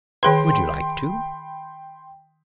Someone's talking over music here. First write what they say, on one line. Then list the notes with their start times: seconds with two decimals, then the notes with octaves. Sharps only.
"Would you like to?"
0.23 D#3 G#4 B4 G5 B5 C6